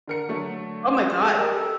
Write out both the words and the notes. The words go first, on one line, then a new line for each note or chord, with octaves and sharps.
Oh my god.
D3 A#4 C#7
D3 F#3 A3
C6
G#3 F#4 A4
G4 A#4 D#5
A4